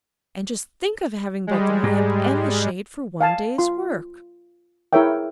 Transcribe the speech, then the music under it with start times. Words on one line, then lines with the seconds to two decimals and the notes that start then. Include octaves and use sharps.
And just think of having both the lamp and the shade for one day's work!
1.47 G3 G#3
1.83 G#2
3.21 F5 G#5 A5
3.58 F4 C6
4.93 E4 G#4 A#4 C#5 E5 G5